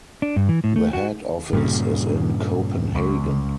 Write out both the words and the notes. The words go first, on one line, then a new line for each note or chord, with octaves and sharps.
The head office is in Copenhagen.
D4
G2
E3
A2
A3
F#4
G2 A#2 C#3
C#2